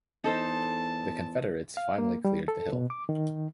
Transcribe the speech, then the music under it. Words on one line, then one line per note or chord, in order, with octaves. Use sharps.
The Confederates finally cleared the hill.
E2 D#4 A4 C5 A5
F5
A#3
G3
A4
B2
D6
D#3